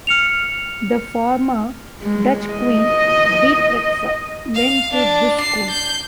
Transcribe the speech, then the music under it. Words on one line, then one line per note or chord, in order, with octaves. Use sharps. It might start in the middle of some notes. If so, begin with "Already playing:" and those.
The former Dutch Queen Beatrix went to this school.
F6 C#7 F7
G#3
D#5
F5
D4
C7
G6